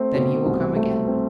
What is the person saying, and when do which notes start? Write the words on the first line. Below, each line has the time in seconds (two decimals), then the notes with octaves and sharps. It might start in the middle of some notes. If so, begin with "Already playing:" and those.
"Then he will come again."
Already playing: A3 C4
0.15 B2
0.46 C2
0.76 A3
1.08 C4